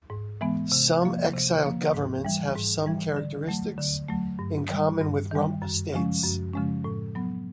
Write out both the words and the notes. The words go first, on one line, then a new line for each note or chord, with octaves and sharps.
Some exiled governments have some characteristics in common with rump states.
G#2
E3 G#3 B3
C3
F3 A#3
C3
F3 A#3
G#2
E3 G3
G#2
E3 G3
D3
F#3 A3
D3
F#3 A3
G2
D#3 G3
G2
D#3 G3
F#2
C#3 F3 G#3 C#4
F#2
C#3 F3 G#3 C#4
A2
F#3 B3